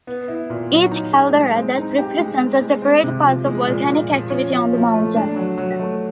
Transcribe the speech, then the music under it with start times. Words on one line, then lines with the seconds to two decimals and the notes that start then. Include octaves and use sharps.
Each caldera thus represents a separate pulse of volcanic activity on the mountain.
0.07 B3
0.28 E4
0.50 A#2
0.71 F#3
0.91 D#4
1.13 G#4
1.35 G#3
1.56 C4
1.77 D#4
1.98 G4
2.19 G#3
2.40 C4
2.62 G#3
2.82 C4
3.03 C3
3.25 F3
3.46 G#3
3.67 A#2
3.88 A#2
4.09 F3
4.30 C#4
4.52 F3
4.73 F3
4.94 A3
5.16 D4
5.36 F#3
5.58 F#3
5.79 A3